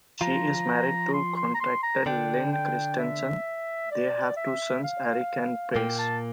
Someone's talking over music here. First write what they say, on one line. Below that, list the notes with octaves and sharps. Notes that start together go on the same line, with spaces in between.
She is married to contractor Len Kristensen; they have two sons, Eric and Bryce.
F3 F4 A#5
C6
C6
A#5
C6
A#5
D3 D4 G5
G5
E5
D5
E5
F5
F5
A#2 A#3 G5
A5